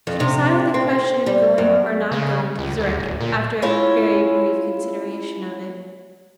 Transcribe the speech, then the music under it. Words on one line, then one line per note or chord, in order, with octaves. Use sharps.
She decided the question of going or not going to Zurich, after a very brief consideration of it.
F2
C3
C4
G3
F#2
C#3
C#2
D2
D1
A#2
C#4 E4 F4 C#5